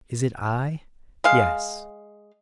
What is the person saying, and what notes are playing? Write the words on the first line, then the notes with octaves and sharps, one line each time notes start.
"Is it I? Yes."
G#3 F5